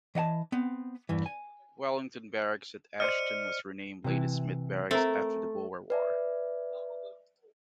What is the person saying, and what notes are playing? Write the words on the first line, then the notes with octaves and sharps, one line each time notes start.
Wellington Barracks at Ashton was renamed Ladysmith Barracks after the Boer War.
E3 D#5 F#5 A5
B3 C4
E2 G2 E3
G#5
C5 D5 D#5 F6 C#7 D#7
C3 E3
A3 C4 A#4
B4 D5 E5